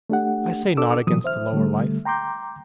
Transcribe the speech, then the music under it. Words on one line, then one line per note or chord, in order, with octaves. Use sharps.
I say naught against the lower life.
A3 D4 G4 F#5
D4 A4 D6 E6
B2 E3 F#3 D#6
C5 E5 F6
D3 G3 A3
G5 A#5 C6 D6 G6